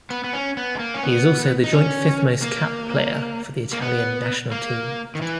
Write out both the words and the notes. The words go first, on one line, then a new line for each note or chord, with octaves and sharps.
He is also the joint fifth-most capped player for the Italian national team.
B3
B3
C#4
B3
G#3
A#3
C#4
B3
D#4
C#4
A#3
A#3
B3
A#3
D#3
E3